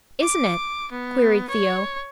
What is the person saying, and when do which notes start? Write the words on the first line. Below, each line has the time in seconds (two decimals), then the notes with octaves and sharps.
"Isn't it?" queried Theo.
0.21 D6
0.92 B3
1.50 C#5